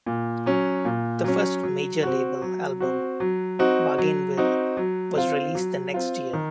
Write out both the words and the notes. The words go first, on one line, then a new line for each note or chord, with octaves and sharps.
Their first major-label album, "Bargainville", was released the next year.
A#2
F#3 C#4
A#2
F#3 C#4
F#3
C4 F#4
F#3
C4 F#4
F#3
C4 D#4 F#4
F#3
C4 D#4 F#4
F#3
C4 F4
F#3
C4 F4
D#3